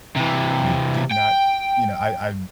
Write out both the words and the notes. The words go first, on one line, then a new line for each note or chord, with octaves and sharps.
that did not you know, I I
C3 E3
G5